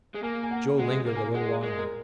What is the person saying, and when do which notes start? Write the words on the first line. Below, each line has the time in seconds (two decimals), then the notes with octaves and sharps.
Joe lingered a little longer.
0.14 G#3
0.23 A#3 G#5
0.43 G#5
0.51 F#5
0.79 G#3 F#5
1.07 A#3
1.16 G#5
1.35 G#3 F#5
1.49 G#4
1.63 G#3 A#4
1.77 A#4